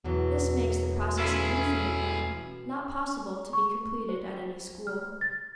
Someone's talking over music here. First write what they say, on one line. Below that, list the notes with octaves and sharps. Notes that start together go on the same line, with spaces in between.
This makes the process an infinite one, not possible to be completed at any school.
E2 B2 E3 F#3
C#4 E4 F4 A4 G#5
C#6
C5
F6
A6